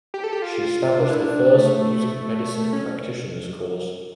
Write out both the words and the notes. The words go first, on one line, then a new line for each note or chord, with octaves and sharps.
She established the first music medicine practitioners course.
G4
A4
G4
F4
D4
E4
D4
A3
C#4